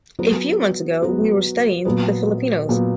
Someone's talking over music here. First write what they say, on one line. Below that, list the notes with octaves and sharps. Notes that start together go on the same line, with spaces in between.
A few months ago we were studying the Filipinos.
F#3 B3 F#4
F#3 B3 F#4
A#2 F#3 B3
A#2 F#3 B3